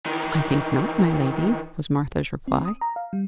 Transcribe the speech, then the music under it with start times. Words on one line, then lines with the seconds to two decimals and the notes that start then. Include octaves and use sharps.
"I think not, my lady," was Martha's reply.
0.06 D#3 E3
2.48 C4
2.65 D#6
2.81 A#5
2.96 F5
3.13 G3